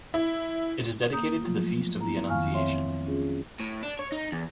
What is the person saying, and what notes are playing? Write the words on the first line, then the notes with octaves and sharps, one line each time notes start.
It is dedicated to the Feast of the Annunciation.
E4
A#3 A#5 D#6 G6
F3 F#3 A3 F4
B3 E4 A#5
F2 D#3 F5 G#5 C#6 F6
C4 C#5 E5 C6
C#4 F4 G#4
A2
D4
C#5
D#4
E2